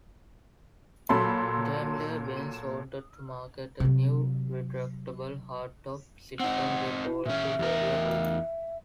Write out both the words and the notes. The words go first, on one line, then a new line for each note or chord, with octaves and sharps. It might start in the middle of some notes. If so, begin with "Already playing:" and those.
Daimler-Benz wanted to market a new retractable hardtop system they called the "Vario-Roof".
A#2 F#3 A4 B5 C6
C3 F#3
C4 D#4 F#5
E4
A#2 C#4 E5
E2 A#4